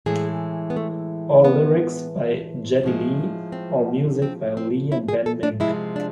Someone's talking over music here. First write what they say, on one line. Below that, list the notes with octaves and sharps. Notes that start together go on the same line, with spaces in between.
All lyrics by Geddy Lee, all music by Lee and Ben Mink.
A2 E3 G#3 G#4
B3
A3
B3
A2 F3 G#3
C4
C4
C4
E4
G#4
A4
D4
C3 F3 G#3 E4
D4